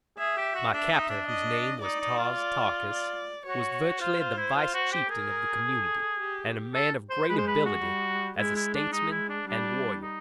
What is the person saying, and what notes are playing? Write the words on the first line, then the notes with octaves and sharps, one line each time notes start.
My captor, whose name was Tars Tarkas, was virtually the vice-chieftain of the community, and a man of great ability as a statesman and warrior.
G#4 E5
G4
F#4
D4 E5
D#4
D4
D#5
D#4 D5
D#4
F4
D5
D5
F#4 C#5
F4 C5
F4
E4
F4
F#4
G4
G#4 A#4
A4
G4
A4
C5
G#3 B4
C5
B4
F#4
G3
G#3 E4
E4
D4
G#3 D#4
E4
D4
G3 D4
D#4